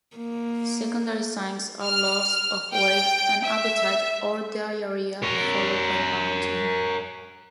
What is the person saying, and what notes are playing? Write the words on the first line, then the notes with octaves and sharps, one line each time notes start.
Secondary signs are loss of weight and appetite or diarrhea followed by vomiting.
A#3
F6
G5
E5
A#4 C#5